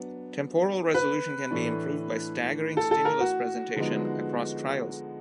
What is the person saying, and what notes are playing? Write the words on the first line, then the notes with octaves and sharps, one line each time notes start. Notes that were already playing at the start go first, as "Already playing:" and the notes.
Temporal resolution can be improved by staggering stimulus presentation across trials.
Already playing: F#3 B3 D4
B4
A2 E3 A3 D4
A4
A4
A#4
F#4
D3 F3 G#3 B3 D#4